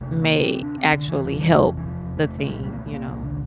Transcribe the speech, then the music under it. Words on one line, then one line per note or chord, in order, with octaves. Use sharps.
may actually help the team, you know?
D2 C3 A3
A#3
C4
D4
C4
D3
E3
F1 E2 C3 F3
G3
F3
E3
F3
A3
A3
C2 A#2 G3
G3
A#3
A3
A#3
A#3
D3